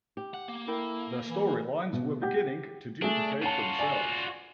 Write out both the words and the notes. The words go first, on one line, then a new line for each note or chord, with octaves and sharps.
The storylines were beginning to duplicate themselves.
G4
F#5
A#3
E4 A4 A#4 G5
E3
B2
G4 F#5 G6
A3 D4 G#4
C#4 F4 F#4 A5
D5 G#5